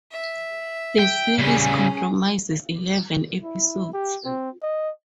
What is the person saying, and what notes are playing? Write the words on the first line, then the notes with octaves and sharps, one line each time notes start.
The series comprises eleven episodes.
E5
G5
C#3 G3 C#4 G#4
E4
G4
C4
D#5